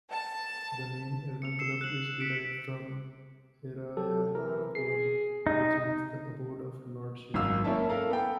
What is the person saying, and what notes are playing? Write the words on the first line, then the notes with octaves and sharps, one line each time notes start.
The name "Ernakulam" is derived from "Erayanarkulam" which means the abode of Lord Shiva.
A5
C#7 F7
E6 C7 C#7 E7
F#6 C7 F#7
E6 B6 C#7 D7
F#3 G4 A4
E3 A#4
G#4 C7
D#4 G4
G#1 F#2 F5 E6
A#3 C#4 E4 E5 A5
A4 A#4 F5 A#5
B3 A4 G5